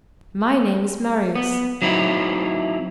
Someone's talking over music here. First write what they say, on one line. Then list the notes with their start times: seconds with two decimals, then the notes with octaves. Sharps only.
My name is Marius.
1.35 B3
1.82 F#3 C4 D#4 E4